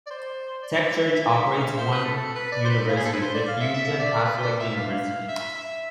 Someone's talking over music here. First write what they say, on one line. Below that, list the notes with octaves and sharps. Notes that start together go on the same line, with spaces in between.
The Church operates one university, the Fu Jen Catholic University.
D5
C5
D5
E5
E5
F5
E5
C5
B4
A4
A4
B4
D5
C5
B4
F4
G#4
A4
B4
C5
D5
F5
E5
E5
D5
B4
C5
D5
E5
F5
E5
E5